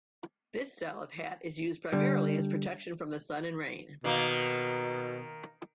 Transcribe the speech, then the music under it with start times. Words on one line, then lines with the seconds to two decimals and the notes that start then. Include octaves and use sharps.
This style of hat is used primarily as protection from the sun and rain.
1.92 D3 G3
4.04 B2 D#3 A#3